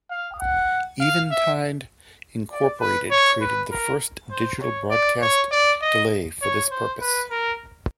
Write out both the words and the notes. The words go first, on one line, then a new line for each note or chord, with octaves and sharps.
Eventide, Incorporated created the first digital broadcast delay for this purpose.
F5
F#5
F5
E5
D5
B4
C#5
B4
A#4
C5
C#5
D5
C#5
D5
D#5
C#5
C5
B4
A#4